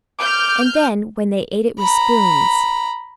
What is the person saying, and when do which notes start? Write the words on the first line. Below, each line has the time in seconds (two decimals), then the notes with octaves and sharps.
And then when they ate it with spoons!
0.19 D6 F6 G6
1.79 A#5 B5